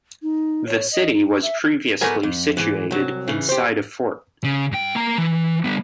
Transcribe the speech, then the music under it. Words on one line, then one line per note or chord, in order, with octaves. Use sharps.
The city was previously situated inside a fort.
D#4
C#5
D#5
D#4
E5
G#2 F#3 A3 B3 A#4 G#5
F2
G#2 E3
C2 F#3
C#3 E3
G4 C5
C#3
G2 G5
A#3 A#5
E3
G3 B3